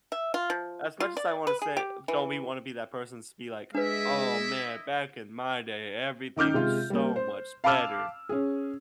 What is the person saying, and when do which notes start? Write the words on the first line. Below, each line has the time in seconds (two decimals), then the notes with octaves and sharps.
as much as I wanna say don't be-wanna be that person's to be like, "Oh man, back in my day everything was so much better.
0.12 E5
0.34 F4
0.50 F3
1.00 F4
1.17 D5
1.47 B4
1.62 G#4
1.77 G4
2.08 E3
3.75 G#3 D4 E4 B4 D#5 E5
6.36 D#3 D#4 D6 F6 G6
6.54 C3 G#3 F4
6.90 G3 A#3
7.16 C5
7.64 F5 A5 B5 D6 E6 F6
8.29 C#4 G#4